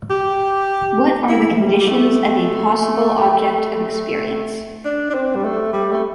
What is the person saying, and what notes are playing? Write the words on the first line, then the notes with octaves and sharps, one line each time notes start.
What are the conditions of a possible object of experience?
G4
E4
E3
G3
G3
A3
D4
D4
C4
G3
A3
G3
A3